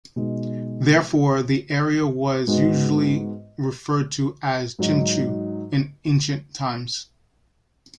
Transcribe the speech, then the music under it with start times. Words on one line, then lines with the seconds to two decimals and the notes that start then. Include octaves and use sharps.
Therefore, the area was usually referred to as "Chen Chu" in ancient times.
0.16 B2 G#3 D#4
2.47 G#2 G#3 B3 F#4
4.79 G#2 F#3 D#4 F#4